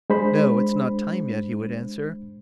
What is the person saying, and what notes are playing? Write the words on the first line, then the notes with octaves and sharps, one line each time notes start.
"No, it's not time yet . . ." he would answer.
G#3 D4 C5 B5